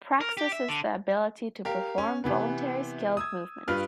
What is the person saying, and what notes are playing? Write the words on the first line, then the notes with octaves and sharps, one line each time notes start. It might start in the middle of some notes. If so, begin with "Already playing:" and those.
Praxis is the ability to perform voluntary skilled movements.
A#4
G4
E5
D3
G4 A#4 F5
C#4
C3 E3 B3
D#6 E6 G#6
G2 F4 B4 F6